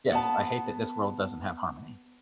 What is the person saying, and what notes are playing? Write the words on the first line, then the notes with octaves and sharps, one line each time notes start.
Yes, I hate that this world doesn't have harmony.
B3 A5